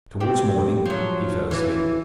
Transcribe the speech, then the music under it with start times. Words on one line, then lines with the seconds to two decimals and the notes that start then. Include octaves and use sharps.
Towards morning he fell asleep.
0.20 G2 C4 G4
0.86 F3 F#3
1.51 E3